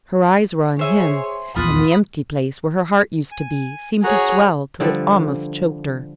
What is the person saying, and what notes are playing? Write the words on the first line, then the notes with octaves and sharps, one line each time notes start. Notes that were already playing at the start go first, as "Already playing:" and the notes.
Her eyes were on him; and the empty place where her heart used to be seemed to swell till it almost choked her.
G#4 C5 C#5 E5 G#5
D#1 A#1 E2 F4 G#4 F#5 B5 D#6
G#5
F#4 G#4 C#5 F#5 A#5
D3 F3 G3 A4